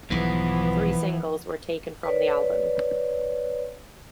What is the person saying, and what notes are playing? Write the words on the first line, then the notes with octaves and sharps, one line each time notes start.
Three singles were taken from the album.
B1 G#2 E3 F3 B3
B4 C#5 D5